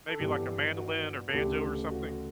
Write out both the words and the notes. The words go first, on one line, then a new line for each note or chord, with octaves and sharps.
maybe, like, a mandolin or banjo or something.
A4
G2 E3 G3 B3 G4
F#4
A4
D2 C#3 E3 A3 D4 G4
F#4